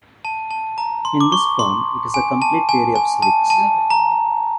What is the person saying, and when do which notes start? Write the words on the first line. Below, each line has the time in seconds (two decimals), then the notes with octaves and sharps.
In this form it is a complete theory of civics.
0.25 A5
0.51 A5
0.78 A#5
1.05 C6
1.20 D6
1.32 C#6
1.59 C6
2.14 G#5
2.42 A5
2.69 G#5
2.95 G#5
3.22 A5
3.50 A5
3.90 A#5